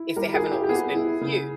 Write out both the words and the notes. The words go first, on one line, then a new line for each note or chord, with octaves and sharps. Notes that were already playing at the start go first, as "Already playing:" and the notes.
if they haven't always been with you.
Already playing: E4
G3 A#4
G#4
E4
G4
G4
B3 G#4
E4
C#3